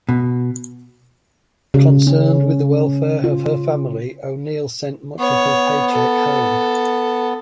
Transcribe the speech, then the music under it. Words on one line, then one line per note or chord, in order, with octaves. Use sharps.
Concerned with the welfare of her family, O'Neill sent much of her paycheck home.
B2
C#3
C#4
F4
B3 C#5
A4